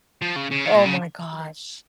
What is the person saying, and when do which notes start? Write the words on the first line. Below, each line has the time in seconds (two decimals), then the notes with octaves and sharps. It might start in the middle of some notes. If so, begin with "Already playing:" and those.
Oh my gosh.
0.22 F3
0.36 C#3
0.51 C#3
0.65 D#3
0.75 A#2
0.86 C#3